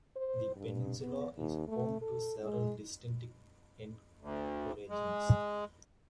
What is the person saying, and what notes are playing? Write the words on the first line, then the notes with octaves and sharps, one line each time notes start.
The peninsula is home to several distinct ecoregions.
C5
G2
B3
D#2
A3
A4
G#3
D2
G#3